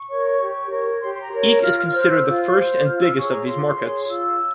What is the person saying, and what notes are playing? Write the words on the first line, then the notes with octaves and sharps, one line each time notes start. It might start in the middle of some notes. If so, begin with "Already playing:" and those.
Eke is considered the first and biggest of these markets.
Already playing: C#6
A#4 C#5
G4
A#4 C#5
G4 C6
C6
A#5
A#4 C#5
A#5
F4 F6
F6
C5 F6
E6
F4
C5
F4 F6
E6
G#4 C#5 C#6
A#5
F4 C6
G#4 C#5
F4 E6